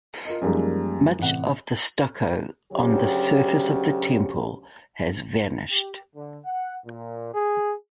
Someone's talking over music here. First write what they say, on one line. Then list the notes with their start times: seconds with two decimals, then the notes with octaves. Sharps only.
Much of the stucco on the surface of the temple has vanished.
0.25 F4 A#4 D#5
0.41 F#2 F3 G3 G#3 A#3 D#4
1.19 A1 C3 F#5
2.73 D2 C#3 F#3 C#4 G4
5.70 G4
6.15 D3
6.45 F#5
6.85 A#2
7.34 G#4